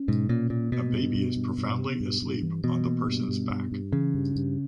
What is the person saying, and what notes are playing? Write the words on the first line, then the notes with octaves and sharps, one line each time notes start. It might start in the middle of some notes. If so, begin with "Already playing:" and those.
A baby is profoundly asleep on the person’s back.
Already playing: C#4
G#2 B2
A#2 C#4
A#2 A#3
B2 B3
G2
G2
G2
G2
B3
G2
G2
E3
B2 E3
A#3
G2
G3
G2
G2
C#3 E3
G2
G2